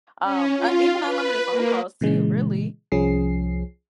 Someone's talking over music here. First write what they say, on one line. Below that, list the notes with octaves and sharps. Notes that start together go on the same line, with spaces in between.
um, uh, even unlimited phone calls too, really,
C#4
F4
B4
A#3
A#2 C#3 E3 G#3
C2 F3 C#4 G#4 C7